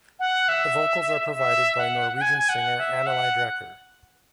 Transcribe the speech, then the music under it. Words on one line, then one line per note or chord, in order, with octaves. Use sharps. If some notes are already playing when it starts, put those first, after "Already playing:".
The vocals are provided by Norwegian singer Anneli Drecker.
F#5
E5
E5
F#5
F#5
G#5
G#5
F#5
E5
F#5